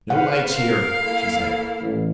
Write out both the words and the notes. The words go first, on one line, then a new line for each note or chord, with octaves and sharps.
"No lights here!" she said.
B4 C5 F5 F#5
A#4 F5
A#3 E4 A4
A1